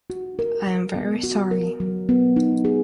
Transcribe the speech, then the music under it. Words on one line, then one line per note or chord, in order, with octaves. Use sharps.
I am very sorry...
F#4
A#4
F#3
B3
F#4
A#4
F#3
B3
D#4
G#4